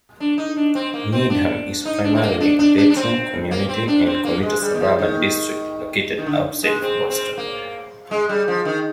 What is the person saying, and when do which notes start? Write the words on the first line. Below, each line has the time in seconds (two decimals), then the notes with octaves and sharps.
Needham is primarily a bedroom community and commuter suburban district located outside of Boston.
0.20 D4
0.38 D#4
0.57 D4
0.75 C4
0.94 A#3
1.12 C4
1.30 D4
1.85 D#4
2.04 D4
2.15 C4
2.22 A#3
2.41 D4
2.59 D4
2.78 D4
2.90 D4
2.96 C4
3.51 A#3
3.69 C4
3.88 D4
4.06 C4
4.24 A#3
4.43 G#3
4.61 G3
4.74 D#3
4.80 F3
4.99 D#3
6.18 D#3
6.26 D3
6.63 G#3
6.82 C4
7.10 C4
7.38 A#3
8.11 G#3
8.29 G3
8.48 F3
8.65 D#3